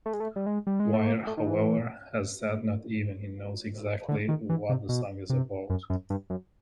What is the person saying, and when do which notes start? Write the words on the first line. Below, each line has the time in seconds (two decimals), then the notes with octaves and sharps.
Wire, however, has said not even he knows exactly what the song is about.
0.06 A3
0.13 G#3
0.20 A3
0.36 G3
0.46 G#3
0.67 G3
0.80 G#3
0.94 A3
1.07 A#3
1.27 A3
1.37 D#3
1.47 E3
4.09 D3
4.28 D#3
4.49 E3
4.69 C3
4.89 B2
5.30 C3
5.70 F#2
5.90 F#2
6.10 G2
6.30 F#2